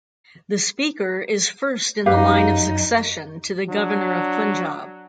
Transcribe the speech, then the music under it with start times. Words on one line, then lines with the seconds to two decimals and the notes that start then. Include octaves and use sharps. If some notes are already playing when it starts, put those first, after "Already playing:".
The Speaker is first in the line of succession to the Governor of Punjab.
2.06 F#2 D#4 G4 B4 F5
3.69 F#3 D4